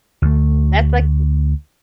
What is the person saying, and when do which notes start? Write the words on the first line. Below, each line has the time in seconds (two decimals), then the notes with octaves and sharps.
that's like
0.22 D2 A3